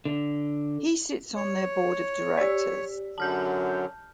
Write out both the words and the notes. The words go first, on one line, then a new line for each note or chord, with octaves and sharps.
He sits on their board of directors.
D3
C#5
G4 D5
F#2 D3 F#3 A5 F6 G6